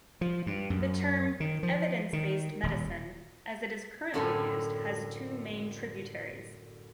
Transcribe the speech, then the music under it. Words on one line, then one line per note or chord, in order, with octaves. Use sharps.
The term "evidence-based medicine", as it is currently used, has two main tributaries.
F3
G2
F#2
D#3
F3
D#3
D#1
F#2 A2 D3 C4 A4 G#5